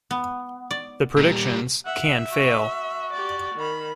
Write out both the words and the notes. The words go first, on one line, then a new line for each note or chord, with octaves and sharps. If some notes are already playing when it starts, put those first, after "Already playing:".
The predictions can fail.
B3
D5
A#2 G3
E5 F#5
F#4
G4 D5
D#3 B5